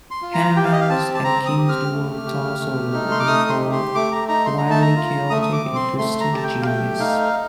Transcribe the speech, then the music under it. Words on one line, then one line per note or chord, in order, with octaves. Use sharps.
Hanneman's and King's dual guitar solos have been called "wildly chaotic," and "twisted genius".
C6
F4
A#5
G4 G5
F5
D#5
F5
C4 A5
A5
C4 A#5
D#6
G4
F6
A3
G4
A3
D#4
C6
D6
A3 D#6
C6
G4
C6
A3 D6
A#5
D#4 A#5
C6
A#5
A3
A5
A#5
F4
A3 D#6
D#6
D6
C4
C6
A3 C6
A#5
G4 A5
G5
F5
A3 G5
D#4 F5